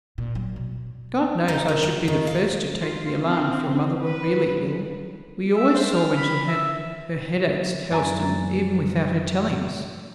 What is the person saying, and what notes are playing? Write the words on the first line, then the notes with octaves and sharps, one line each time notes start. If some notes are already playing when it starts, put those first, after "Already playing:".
God knows I should be the first to take the alarm if your mother were really ill; we always saw when she had her headaches at Helstone, even without her telling us.
A#2
F#3
B2
D#4
A#4
F#5
D#3
F5
F4
C4
B4
E5
C5
F6
B5
E5
F#2 D5 G#5 A#5